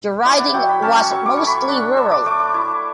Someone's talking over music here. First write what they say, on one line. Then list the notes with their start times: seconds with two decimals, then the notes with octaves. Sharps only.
The riding was mostly rural.
0.25 E4 D5
0.40 F#5
0.54 F#3 G5
0.69 B5
0.82 C#4 A5
0.97 C#6
1.11 F#3 C#6
1.26 D6
1.37 A3 C#6
1.47 B5
1.58 C#6
1.68 D4
1.97 D4 E6
2.11 D6
2.26 A3 D6
2.40 D6
2.54 E4